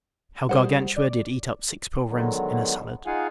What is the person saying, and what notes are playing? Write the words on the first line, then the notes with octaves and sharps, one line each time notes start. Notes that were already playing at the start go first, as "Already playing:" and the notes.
How Gargantua did eat up six pilgrims in a salad.
G3 G#4 C5 F#5
D5
D3 D#3 F#3 G#3 B3
D#4 F4 G#4 F5 F#5 G#5